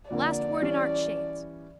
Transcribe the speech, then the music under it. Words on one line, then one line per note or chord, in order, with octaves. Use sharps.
Last word in art shades.
F2 D3 A#3 D5
E3 G3 C#4